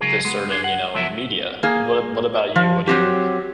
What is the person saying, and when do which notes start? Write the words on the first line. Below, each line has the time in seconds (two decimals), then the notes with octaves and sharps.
this certain, you know, media. What a what about you? What do you
0.01 C#3 F#3 G#3 D#4 G#4 A#4
0.25 G#3 B3
0.50 D4 G#4
0.64 F#5
0.94 C#2 F3 F#3 B3 A#4 E5
1.63 A#3 G#4
2.56 F3
2.87 F#3 C4 G4